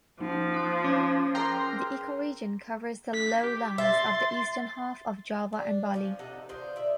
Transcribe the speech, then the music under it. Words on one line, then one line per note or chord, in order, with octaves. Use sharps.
The ecoregion covers the lowlands of the eastern half of Java and Bali.
F3 A#3 D#4
D#6 F#6
C#4 D6 G6 G#6
G#4 A#4 G5 A#5 C6 F6
B6
G4
E5 C6 A6
D4
F3 C#4
C3 D#4 A4 F#5
D#3 D4 F4 C5
D5 E5